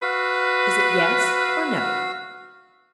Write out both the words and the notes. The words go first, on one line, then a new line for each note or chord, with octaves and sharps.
Is it Yes or No?'
F#4 B4 F5 E6